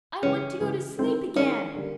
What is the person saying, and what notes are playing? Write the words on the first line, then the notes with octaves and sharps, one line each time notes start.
"I want to go to sleep again."
C#3 E3 G#3 C#4
C#3 E3 G#3
D#3 G#3 C4 E4
D#3 G#3 C4 C#4 E4
D3 G3 A#3